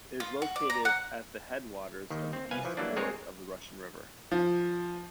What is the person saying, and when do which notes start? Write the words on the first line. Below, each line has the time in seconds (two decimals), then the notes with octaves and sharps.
It is located at the headwaters of the East Fork of the Russian River.
0.20 F4
0.42 F#4
0.56 D5
0.70 A#5
0.85 F#5
2.10 D#2 D#3
2.33 C4
2.51 C2 B4 F5 G#5
2.65 E3 F3
2.77 E3 F#3 G3 A#3 D4
2.96 G#3 C4 G#4 A#4 C#5
4.32 F3